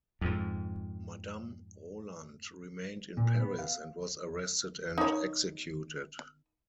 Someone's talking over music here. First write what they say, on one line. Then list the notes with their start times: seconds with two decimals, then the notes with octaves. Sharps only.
Madame Roland remained in Paris and was arrested and executed.
0.21 F2 G#2
3.17 A#2
3.40 B3
3.59 F5
4.98 D#4 C#5